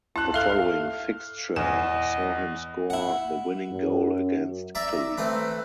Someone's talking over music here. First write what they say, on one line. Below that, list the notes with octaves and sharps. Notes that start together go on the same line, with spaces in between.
The following fixture saw him score the winning goal against Italy.
E4 A5 F#6
A4 E5 F5 F6
E2 D#5 G#5
E4 F#5
F#2
D5 E5 A#5
A3 C4 B4